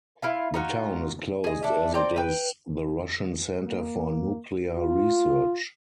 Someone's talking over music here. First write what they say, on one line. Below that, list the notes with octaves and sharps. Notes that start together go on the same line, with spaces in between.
The town is closed as it is the Russian center for nuclear research.
E4 F4 F5
D#4 F4 F#4
G#4 D#5
A3 D4
C4 D5 G5 A#5
B4 G5
A#3
F4